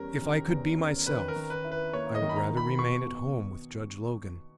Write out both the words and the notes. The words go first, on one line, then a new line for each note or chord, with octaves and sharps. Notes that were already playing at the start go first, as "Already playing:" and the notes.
If I could be myself, I would rather remain at home with Judge Logan.
Already playing: E2 G3 C#4 A#4
D#3
E2
C#4
D#3 B4
A#4
D#3
B4
E4
B4
A#3 C#5
D#5
D#3
B5
A#5
D#3
B5
B2 C#6
B2